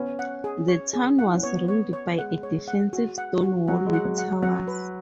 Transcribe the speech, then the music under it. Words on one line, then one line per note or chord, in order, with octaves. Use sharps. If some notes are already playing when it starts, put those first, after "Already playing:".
The town was ringed by a defensive stone wall with towers.
Already playing: B3 C#4
F#5
G#4
C#5
G#4
F#5
E4
C#4
B3 C#5
C#5
C#5
G#3 F#5
C#5
F#5
F#4
F#5
F#4
F#3 F#5
G#3
F#5
F#3
F#5
G#3
F#3 F#5
B4